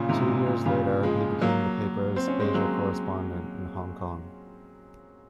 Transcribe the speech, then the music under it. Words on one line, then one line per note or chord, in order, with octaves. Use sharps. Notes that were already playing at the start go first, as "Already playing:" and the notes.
Two years later he became the paper's Asia correspondent in Hong Kong.
Already playing: A#2 C#3
G#2 C3
A#2
A#2
A#2 C#3
F3 G#3
F#3 A#3
C4
C#4
G#3 C4
F#3 A#3